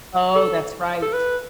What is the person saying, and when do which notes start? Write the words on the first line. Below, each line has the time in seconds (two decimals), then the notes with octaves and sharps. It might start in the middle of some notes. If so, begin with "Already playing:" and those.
Oh, that's right.
0.36 A4
1.03 A4
1.13 B4